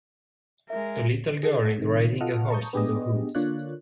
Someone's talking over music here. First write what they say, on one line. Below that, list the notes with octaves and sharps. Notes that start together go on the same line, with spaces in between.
A little girl is riding a horse in the woods.
G#3 A#4 E5
G#4 A4 F#5 A5
C3 D#3
F4 A4 D#5 F#5 F6
A5 A#5 C#6 D#6 G6
B3 D4 G4 G#4 B4 D#5
D3 A#3 F4 C#5 D5 F#6